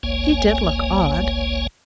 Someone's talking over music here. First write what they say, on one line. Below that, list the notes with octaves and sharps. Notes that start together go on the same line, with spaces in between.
She did look odd.
G1 C#2 A#3 C#5 G#5